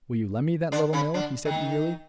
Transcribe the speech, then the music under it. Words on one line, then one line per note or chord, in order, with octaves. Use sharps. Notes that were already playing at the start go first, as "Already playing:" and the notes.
"Will you lend me that Little Mill?" he said eagerly.
D3 D4
C#3 C#4
D3 D4
D#3 D#4